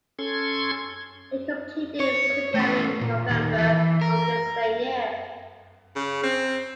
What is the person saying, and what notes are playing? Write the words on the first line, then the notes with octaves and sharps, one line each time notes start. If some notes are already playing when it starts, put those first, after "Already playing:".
He completed photography in November of the same year.
C#4 A4 C6 G#6
C#5
A3 C#4
A#2
D#2
E3
A#4
C#3
C4